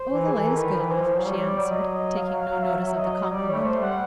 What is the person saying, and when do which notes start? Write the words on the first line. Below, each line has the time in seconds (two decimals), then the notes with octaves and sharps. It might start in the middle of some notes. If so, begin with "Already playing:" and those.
"Oh, the light is good enough," she answered, taking no notice of the compliment.
Already playing: C5
0.11 E3
0.28 G#4
0.33 E3 A4
0.47 A#4
0.56 D#3 B4
0.74 F3
0.80 E3 B4
0.91 C5
1.03 F3
1.19 F#3
1.25 G3 C#5
1.39 C#5
1.48 D5
1.59 F#3
1.71 D#5
1.94 D#5
2.17 F5
2.40 F5
2.63 E5
2.97 D#5
3.31 G3 D5
3.49 C#5
3.55 A3
3.62 C#5
3.66 C5
3.77 G3
3.83 F#5